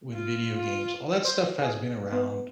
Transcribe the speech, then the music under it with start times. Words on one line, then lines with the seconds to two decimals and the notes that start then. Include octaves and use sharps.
with video games, all that stuff has been around,
0.14 F4
0.55 F4
1.25 C5
1.62 G#4
2.12 B3